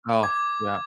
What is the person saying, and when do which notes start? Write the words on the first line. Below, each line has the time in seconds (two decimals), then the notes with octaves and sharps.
Oh, yeah.
0.23 D6 G#6